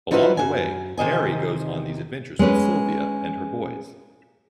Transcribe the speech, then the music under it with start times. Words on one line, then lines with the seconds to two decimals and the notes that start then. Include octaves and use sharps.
Along the way, Barrie goes on these adventures with Sylvia and her boys.
0.11 F3 D#4 E4 F#4 B4 F5
0.37 F#2 G#5
0.98 C3 D#3 D#5 G#5
2.39 G#3 B3 C#4 B4